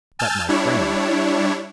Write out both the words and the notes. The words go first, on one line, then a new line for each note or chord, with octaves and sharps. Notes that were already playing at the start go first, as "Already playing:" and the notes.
But my friend!
G#5 A5 E6 F6 G6 A6
G3 D4 E4 C#5